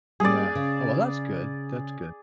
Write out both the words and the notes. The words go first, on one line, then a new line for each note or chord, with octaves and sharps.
Yeah, oh well, that's good, that's good.
G3 A#3 C#4 G#4 D5
C#3